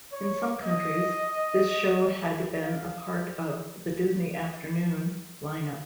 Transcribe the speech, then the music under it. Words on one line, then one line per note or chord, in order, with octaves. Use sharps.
In some countries, this show had been a part of "The Disney Afternoon" lineup.
C#5
D#5
F5